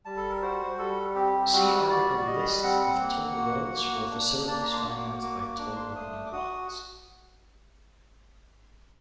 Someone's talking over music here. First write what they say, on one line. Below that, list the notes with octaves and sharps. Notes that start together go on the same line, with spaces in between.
See article List of toll roads for facilities financed by toll revenue bonds.
G3 A5
A4
A#4
F#4 C5
G3 A4
C4 G4
G3 F#4
F#4 D5
D5
G3 D#5
C4 F#5
A#3
F#4
A#3
D4
A#3 A5
A#5
C6
F#4
D6
A#3 D6
D6
D4 D6
C6
A3 D#6
D6
F#4 D#6